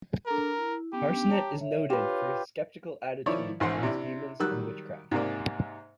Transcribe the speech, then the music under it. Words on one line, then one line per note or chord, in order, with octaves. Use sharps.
Harsnett is noted for his sceptical attitude towards demons and witchcraft.
D4 A4 A#4 A#5
E4
B3 C#4 D4 G4
C#5 A5 A#5
C#5 E5
F4 G4 B4 C#5
D#3 F3 E4 C#5 D5
A1 G#2 C5 F#5 C6
C3 D4 E4
D#3 F#3 G3 E6 F#6
G#2 C3 A#3 D5